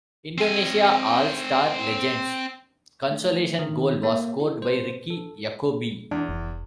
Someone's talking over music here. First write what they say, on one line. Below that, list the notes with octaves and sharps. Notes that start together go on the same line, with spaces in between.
Indonesia All-Star Legend's consolation goal was scored by Ricky Yacobi.
C4 G#5
A3
D#3
A#3
E4
C5
A4
E2 D4
F1